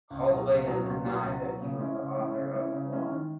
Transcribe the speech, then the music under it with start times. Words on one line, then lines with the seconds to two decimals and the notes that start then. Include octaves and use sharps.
Holloway has denied that he was the author of the blog.
0.11 C#2
0.29 B2 F#3
0.48 C#2
0.66 B2 F#3
0.85 C#2
1.04 B2 F#3
1.22 C#2
1.42 B2 F#3
1.61 C#3
1.79 G#3 C#4 E4
1.98 C#3
2.16 G#3 C#4 E4
2.35 C#3
2.54 G#3 C#4 E4
2.73 C#3
2.91 G#3 C#4 E4
3.10 D#3